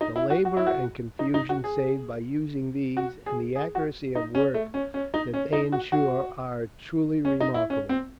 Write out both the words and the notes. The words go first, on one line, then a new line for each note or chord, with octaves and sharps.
The labour and confusion saved by using these, and the accuracy of work that they ensure, are truly remarkable.
D#4
E4
F#4
F#4
E4
F#4
D#4
D#4
F#4
G#4
F#4
G#4
G#4
F#4
D#4
C#4
A3
C#4
C#4
D#4
C#4
D#4
F#4
F#4
C#4
D#4
E4
C#4
C4